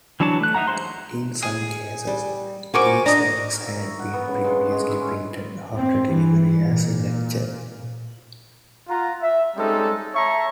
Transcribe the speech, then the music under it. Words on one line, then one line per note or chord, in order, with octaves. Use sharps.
In some cases these works had been previously printed after delivery as a lecture.
E3 F#3 D4 C#5 A5
A3 F#6
D#4 E5 F#5 A#5
G#3 F#4 C5 C6
G#4
G3
F#4 A#4 C5 G#5 C#6 D6
D4 D#5 A#5
A#4
E5
C#5
F#5
B3
C#3
G#3
G#3
E5
C#4
C4
E3
A#2
F4 F#5 A#5
E5
G3 G#3 C4 C#4 D#4 A4
C#5 E5 A5 A#5 C#6